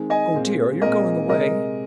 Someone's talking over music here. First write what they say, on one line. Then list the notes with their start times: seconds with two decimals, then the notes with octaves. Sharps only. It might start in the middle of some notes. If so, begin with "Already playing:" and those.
"Oh dear, are you going away?"
Already playing: D#3 G#3 C4
0.10 D#5 G#5
0.34 A#2 G#3 C4
0.81 A#2 G#3 C4 A#4 D#5
1.29 C3 G#3 C4 A#4 D#5